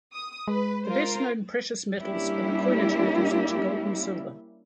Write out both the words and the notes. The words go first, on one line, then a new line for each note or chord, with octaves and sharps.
The best known precious metals are the coinage metals, which are gold and silver.
D#6
G#3 B4
F4 A#4 C5
G3 A#3 C#4 D4 E4 G4